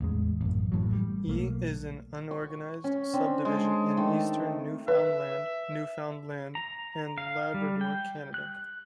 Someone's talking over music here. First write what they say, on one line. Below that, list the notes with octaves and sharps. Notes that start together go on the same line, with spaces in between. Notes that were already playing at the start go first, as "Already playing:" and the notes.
E is an unorganized subdivision in eastern Newfoundland, Newfoundland and Labrador, Canada.
A1 E2 G#3
A1 F#2
A1 A2 F#3
G3
B1 A3 A#3
C#6
C#4
C4 D4
G#3 A4
D#3 A3
B4 E5
A#5
F5
G3
G5
F#6